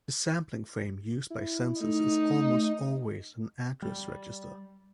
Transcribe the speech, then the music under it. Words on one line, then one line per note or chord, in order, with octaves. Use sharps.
The sampling frame used by census is almost always an address register.
E4
A3 D#4
G3